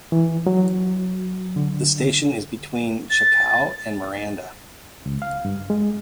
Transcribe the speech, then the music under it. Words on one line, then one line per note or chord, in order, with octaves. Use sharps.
The station is between Chacao and Miranda.
E3
F#3
D3
A6
C#2
F5
G2
G#3